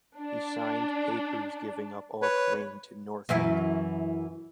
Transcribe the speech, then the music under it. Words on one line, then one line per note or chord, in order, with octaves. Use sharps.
He signed papers giving up all claim to Northup.
D4
B4 C#5
F#2 E3 E4